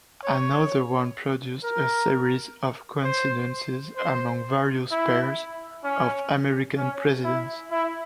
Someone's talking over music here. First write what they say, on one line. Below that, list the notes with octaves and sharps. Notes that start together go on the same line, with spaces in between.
Another one produced a series of coincidences among various pairs of American presidents.
C#5
A#4
C5
C5
E4
C#4
C#4
E4
E4